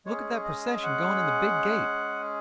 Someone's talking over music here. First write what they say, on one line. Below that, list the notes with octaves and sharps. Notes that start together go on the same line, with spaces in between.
Look at that procession going in the big gate!
G#3 C#4 G#4 C#5
D#5
F#5